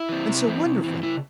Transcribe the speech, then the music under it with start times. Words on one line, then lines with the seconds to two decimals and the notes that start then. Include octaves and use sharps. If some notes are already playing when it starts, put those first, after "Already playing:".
And so wonderful!
Already playing: E4
0.09 E3 C4
0.28 C3
0.47 E3 C4
0.65 C3
0.84 E3 C4
1.03 C#3 E4